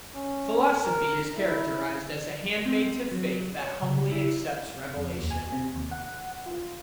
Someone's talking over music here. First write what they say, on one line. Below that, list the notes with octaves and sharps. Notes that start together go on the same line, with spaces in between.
Philosophy is characterized as a handmaid to faith that humbly accepts revelation.
C#4
A#4
E4
C4
F#3
C#5
C#3
E4
F2
D#2
G#5
C3
D#2
F#5
F4